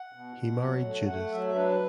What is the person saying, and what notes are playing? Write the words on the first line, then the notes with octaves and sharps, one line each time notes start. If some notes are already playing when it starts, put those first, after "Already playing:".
He married Judith.
Already playing: F#5
B2
B2
F#3
A3
A3 F#5
F#3 E5
D4 B4